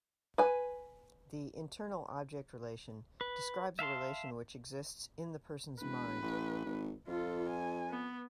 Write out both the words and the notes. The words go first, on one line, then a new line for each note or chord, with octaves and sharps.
The internal object relation describes a relation which exists in the person's mind.
B4 G#5
B4
E5 F5 A5 C6
E1 B4
A1
G#1
F2 F4 A4
G#5
B3